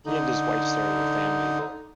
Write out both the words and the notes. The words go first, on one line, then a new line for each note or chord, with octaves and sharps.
He and his wife started a family there.
D3 D#4